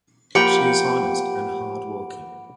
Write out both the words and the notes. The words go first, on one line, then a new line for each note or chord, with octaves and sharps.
She is honest and hardworking.
F3 A#3 G4 F#5 G5 B5 D6 D7